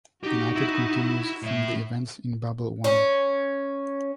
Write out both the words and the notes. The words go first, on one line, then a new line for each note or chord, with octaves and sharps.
"United" continues from the events in "Babel One".
D#4 F#4 G4
E4
A2 E5
C#4